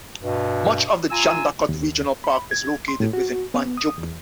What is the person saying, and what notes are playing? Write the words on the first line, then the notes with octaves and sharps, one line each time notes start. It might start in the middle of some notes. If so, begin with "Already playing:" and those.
Much of the Jandakot Regional Park is located within Banjup.
G2 B2
F4 G#5 A#5 E6
D#2
B5
G#6
C6
A2
F#4
B3
D#6
E2